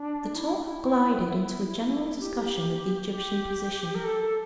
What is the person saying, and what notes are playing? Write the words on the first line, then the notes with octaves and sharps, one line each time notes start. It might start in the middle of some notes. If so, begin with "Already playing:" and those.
The talk glided into a general discussion of the Egyptian position.
Already playing: D4
E4
G4
G4
A#4
A4